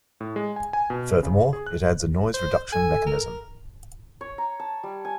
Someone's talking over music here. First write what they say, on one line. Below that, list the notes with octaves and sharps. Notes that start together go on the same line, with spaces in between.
Furthermore, it adds a noise reduction mechanism.
A2
G#3
G#5
G#5
B2
C#3
G#4
F#6
C5
A4 G#5
A#4
C#5
A#5
A5
G3
G#5